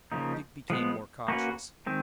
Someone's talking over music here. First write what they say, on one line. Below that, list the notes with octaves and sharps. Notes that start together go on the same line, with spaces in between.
Dick became more cautious.
C#3 F3 A#3 D#4
F3 G#3 B3
A#3 C#4 F#4 B4
D#3 G#3 C4